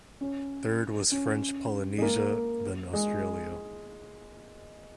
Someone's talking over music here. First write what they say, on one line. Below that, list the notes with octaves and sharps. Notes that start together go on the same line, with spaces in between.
Third was French Polynesia then Australia.
C#4
C#4
G#3
A#3
G#3